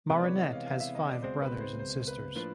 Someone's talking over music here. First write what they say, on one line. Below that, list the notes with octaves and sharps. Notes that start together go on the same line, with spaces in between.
Marinette has five brothers and sisters.
C3 E3 G#3 B3 B4
D5
C#5
D#5
F5
F5
E5
D#5
D5
C#2 B2 G#3 C4 C5
B4
C5
C5
B4
A2 F3 A#3 D4 F4 B4